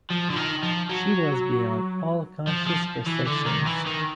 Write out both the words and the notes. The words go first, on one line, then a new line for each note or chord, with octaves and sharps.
She was beyond all conscious perceptions.
F3
D3
D#3
F3
F#3
F3
F3
E3
D3
D#3
E3
D#3